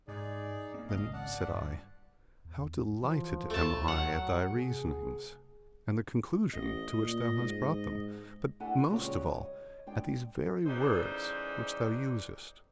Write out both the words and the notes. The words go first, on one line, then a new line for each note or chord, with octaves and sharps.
Then said I: 'How delighted am I at thy reasonings, and the conclusion to which thou hast brought them, but most of all at these very words which thou usest!
G#2 D#4 G#4 D5
A#3 C4
G#1 C#2 D#5 F5
D5 F#5 A5
G2
E2
E3 F3
D2 A3 A5
F#3 F#5
C3 G#4
A1 D#5
A#2
G#2
A3 D4 E4 A4 F#5 G#5
A#2 C#3 G#3 F#4 G4 C#5
C#5 D#5
G#3 D4 G5
C#3 E3 G3 D#4 A4 C5